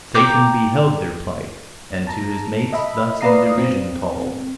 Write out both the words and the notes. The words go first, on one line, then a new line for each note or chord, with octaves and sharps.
SATAN beheld thir plight, And to his Mates thus in derision call'd.
G5 A#5 D6 G6
A5 A#5
D#5 E5 B5
B4 D5 F5 A#5 D#6 C7
C4